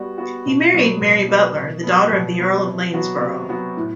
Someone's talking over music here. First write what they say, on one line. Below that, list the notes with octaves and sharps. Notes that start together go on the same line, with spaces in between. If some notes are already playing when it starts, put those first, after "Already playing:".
He married Mary Butler, the daughter of the Earl of Lanesborough.
Already playing: G3 B3 F#4
B3 F#4
B2
F#3 B3
B2
F#3 B3
B2
F#3 B3
B2
F#3 B3
C3
F#3 B3 F#4
C3
F#3 B3 F#4
A2